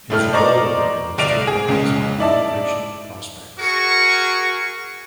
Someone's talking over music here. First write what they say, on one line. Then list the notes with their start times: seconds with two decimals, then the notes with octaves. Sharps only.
His role there was to advise on emigration prospects.
0.10 F1 A2 A4 F6
0.33 C5 D5 D#5 A#5 C#6 D6
1.18 G1 C2 D5 D7 F7
1.47 G#4
1.68 C#2 C#3 G#3
2.18 D#4 E4 D5 E5 A5
3.59 F#4 G#4 A#4 C#6